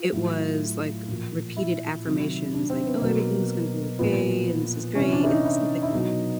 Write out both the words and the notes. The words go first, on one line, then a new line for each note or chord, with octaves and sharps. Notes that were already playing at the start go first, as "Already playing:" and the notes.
it was, like, repeated affirmations, like, "Oh, everything's gonna be okay, and this is great." And stuff like that.
Already playing: F4
A2 F#3
A#2 F3
E4
C3 D#3 F#3
D4
C4
B3
B2 F#3 A#3
A#2 F3 B3
C3 E3 C#4
D4
E4
D#4
E4
E4
B2 F#3 D#4